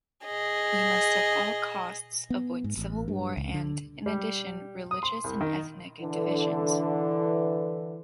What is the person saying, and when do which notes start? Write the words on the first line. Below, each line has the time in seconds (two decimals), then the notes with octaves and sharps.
We must at all costs avoid civil war and, in addition, religious and ethnic divisions.
0.25 G#4 D#5
2.30 B3
2.64 G#2
2.77 A1
3.08 G2
3.37 C#2
3.54 D3
4.06 G3
4.91 D#6
5.03 C6
5.24 C2
5.41 D#3
6.00 D3 E3